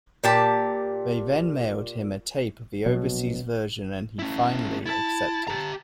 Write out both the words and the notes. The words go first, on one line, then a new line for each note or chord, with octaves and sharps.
They then mailed him a tape of the overseas version and he finally accepted.
A#2 G4 A5
A#1 B2 F#3
C#4 E4
E4 A5
G4 A#5